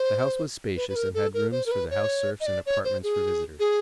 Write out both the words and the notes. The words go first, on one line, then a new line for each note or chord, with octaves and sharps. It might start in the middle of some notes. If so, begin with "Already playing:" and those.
The house was spacious and had rooms for the house serfs and apartments for visitors.
Already playing: C5
B4
B4
A#4
A4
A#4
C5
A#4
B4
C#5
D#5
D5
C#5
C5
G#4
G#4